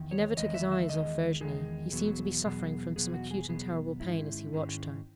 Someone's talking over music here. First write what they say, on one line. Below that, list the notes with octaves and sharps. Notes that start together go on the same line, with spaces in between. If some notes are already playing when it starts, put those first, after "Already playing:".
He never took his eyes off Virginie; he seemed to be suffering from some acute and terrible pain as he watched her.
Already playing: E2 D#3
C#5
E2 D#3 G#3 D#5
E5
E5
E2 D#3 G#3 D#5
E2 D#3 G#3 G#4
E2 B2 F#3 B3
E2 B2 F#3 B3 G#4
E2 B2 F#3 B3 G#4
F#4
G#4
E2 B2 F#3 B3 G#4
G#2 D#3 G#3 C#4 E4
G#2 D#3 G#3 C#4